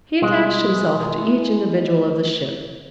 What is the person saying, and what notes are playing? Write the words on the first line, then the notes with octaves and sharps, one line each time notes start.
He attached himself to each individual of the ship.
B2 G3 G#3 F4
A3 E4